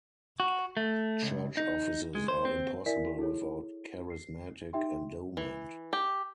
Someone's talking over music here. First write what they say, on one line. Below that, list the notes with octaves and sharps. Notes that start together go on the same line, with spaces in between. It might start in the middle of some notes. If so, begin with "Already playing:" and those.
Church offices are impossible without charismatic endowment.
F#4
A3
C#2
D#4
G#3
C5
C4
E4 A#4 D5 E5 G#5 B6
E4 G#4 A4 C#5
C7
D#4 G4 E5 G5 C6
E3
G4